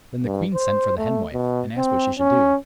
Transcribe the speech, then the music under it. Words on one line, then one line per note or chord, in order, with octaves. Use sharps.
Then the queen sent for the Hen-Wife, and asked what she should do.
G2
C5
A3
B2
C4
C#4